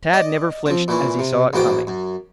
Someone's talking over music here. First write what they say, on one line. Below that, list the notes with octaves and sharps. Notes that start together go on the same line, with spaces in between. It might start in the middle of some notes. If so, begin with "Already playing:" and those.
Tad never flinched as he saw it coming.
D5 D#5
F3 C4
A#2 E3 C#4
C3
A1 E2 A#3 F#4 C5 G5
F#2